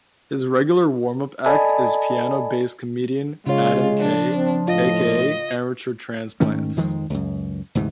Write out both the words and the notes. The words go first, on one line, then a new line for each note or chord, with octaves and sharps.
His regular warm-up act is piano-based comedian Adam Kay, aka Amateur Transplants.
A4 D5 D#5 G#5 A5 B5
C#3 G#3 F4 C#5
F3 D4
C4
A2 F4 D#5
G#2 D#3 A3 C#4
F2 D#3 F3 G#3
C#2 F#2
D2 G#2 C3 E3